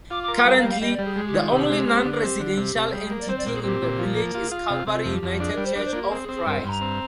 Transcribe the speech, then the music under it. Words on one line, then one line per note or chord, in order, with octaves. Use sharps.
Currently, the only non-residential entity in the village is Calvary United Church of Christ.
F4 D6
D6
A#4
C6
G3 F5
F5
G3
F5
G3 D#5
D5
G3
G#4
G#3 G#4
G4
D#3 F4
C3 G4
G#3
C4
D3
G#4
C4 G4
D3
C3
C3
A#4
G3 G#4
A#3
D5
C4 C5
D5
A#2 A#4
G#4
C4 G4
A#2
F3
A#3
F4 G4
G#4
F4
C3
C3
F4
F2 G4
F2
D4 G#4
A#4
G3
C5
D4 A#4
C5
A#3 F4
G4
C4 G#4
G#4
C4
G#4
G2 A#4
G2 C6
A#5
C4